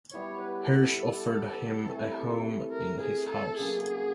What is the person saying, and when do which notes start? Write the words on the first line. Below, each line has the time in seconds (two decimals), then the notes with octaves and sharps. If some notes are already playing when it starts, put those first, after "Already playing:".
Hirsch offered him a home in his house.
0.13 G3 B3 E4 G4 C#5
0.41 B4
0.70 A4
1.86 C3 E3 A3
2.72 A#4
3.01 G#4
3.29 A4
3.59 C#3 F#3 A#3 G#4